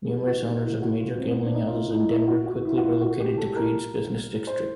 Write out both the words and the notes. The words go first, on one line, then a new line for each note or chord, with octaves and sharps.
Numerous owners of major gambling houses in Denver quickly relocated to Creede's business district.
G#4
G4
F#4
D#4
E4
F#4
F4
C4
A#3
B3
C4
D4
D#4
F4
E4
D#4
E4
F#4
F#4
E4
F#4
F4
F#4
G4
A4
A#4
C5